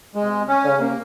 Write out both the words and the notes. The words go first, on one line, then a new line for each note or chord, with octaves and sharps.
um so,
G#3
C#4
A#3